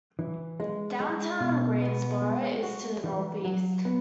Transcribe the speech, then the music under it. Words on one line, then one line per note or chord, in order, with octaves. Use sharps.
Downtown Greensboro is to the northeast.
E3
G#3
G#3
B2
B3
G#3
F#4
E3
F#3
B3